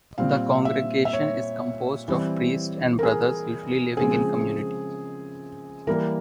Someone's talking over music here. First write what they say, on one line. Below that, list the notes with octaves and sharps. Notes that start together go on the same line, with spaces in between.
The congregation is composed of priests and brothers usually living in community.
A#2 G3 C4 F5
E5
E5
C#5
E3 G3 C4
A#4
G#4
C#3 F3 G#3 C4 G#4
E3 G3 A#3 A#4